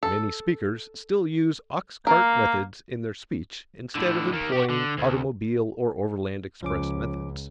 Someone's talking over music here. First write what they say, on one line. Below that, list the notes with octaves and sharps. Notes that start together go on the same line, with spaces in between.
Many speakers still use ox-cart methods in their speech instead of employing automobile or overland-express methods.
A4
A#3 A#4
A2 D3
D#3 A#3
F#4 G4
D3
D2
C#2 F3 C#4 D6